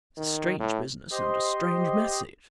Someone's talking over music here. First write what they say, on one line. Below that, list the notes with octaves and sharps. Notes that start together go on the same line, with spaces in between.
It's a strange business and a strange message.
D#3
A2
G4 C5 D#5 C6